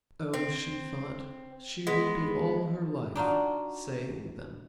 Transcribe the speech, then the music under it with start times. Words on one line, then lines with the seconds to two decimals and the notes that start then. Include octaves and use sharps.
Oh, she thought, she would be all her life saying them!
0.34 C4
1.87 G#3 B3
3.15 D4 D#4 F4 F#4